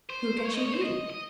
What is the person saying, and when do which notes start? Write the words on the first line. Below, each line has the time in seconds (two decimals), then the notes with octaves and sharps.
Who can she be?
0.10 C5
0.39 C5
0.46 C#5
0.55 D#5
0.66 C#5
0.74 C5
0.83 D#5
1.10 D#5